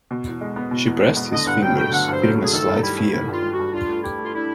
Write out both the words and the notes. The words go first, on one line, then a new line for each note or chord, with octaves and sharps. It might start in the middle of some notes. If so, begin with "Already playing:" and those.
She pressed his fingers, feeling a slight fear.
B2
E2
G#3
B3
B2
E2
G#3
B3
D3 D#5
G2 F#5
F#3 G5
A3 G5
D3 F#5
G2 C5
F#3
A3
G#4
D#3 A4
G2 D#4
G3 E4
G2
D#3 E4
G2 F4
G3
F#4
G2
D4 F4
A3
E4 G4
A3
F4
D4 E4